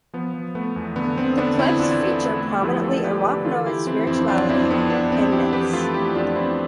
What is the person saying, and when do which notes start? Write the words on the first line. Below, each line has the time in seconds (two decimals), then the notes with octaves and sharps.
The cliffs feature prominently in Wampanoag spirituality and myths.
0.13 F3 B3
0.34 F3
0.55 A3 B3
0.76 E2
0.96 D3 B3
1.17 D3 C4
1.37 D3 B3 D4
1.58 D3 C4 E4
1.79 E2 D4 F4
2.01 D3
2.21 A3
2.41 A3
2.62 F3 E4 G4
2.83 A3 F4 A4
3.04 A3 G4 B4
3.24 D3 G4 B4
3.45 E3 F4 A4
3.66 E3 E4 G4
3.87 E3 C4 E4
4.07 F2 C4 E4
4.28 F2 D4 F4
4.49 F2 C4 E4
4.70 F2 B3 D4
4.90 F2 B3 D4
5.11 F2 C4
5.32 F2 E4 G4
5.53 E3 G4 B4
5.73 A3 F4 A4
5.94 A3 E4 G4
6.15 F2 D4 F4
6.36 F2 C4 E4